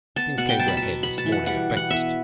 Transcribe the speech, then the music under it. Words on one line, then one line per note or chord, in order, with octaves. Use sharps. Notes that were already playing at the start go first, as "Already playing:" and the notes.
Things came to a head this morning at breakfast.
B3 A5
B2 F#5
G5
F#3 A5
B5
A5
B2
B3 B5
A5
E3
F#5
G3 F#5
E3
F#5
B3 E5